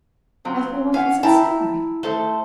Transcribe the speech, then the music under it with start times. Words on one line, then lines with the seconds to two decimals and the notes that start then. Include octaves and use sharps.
I have been walking since sunrise.
0.45 F#3 C4 F4
0.94 C#4 F5 F#5 G#5
1.23 E4 G5 A5 A#5
2.03 A3 A4 C5 A5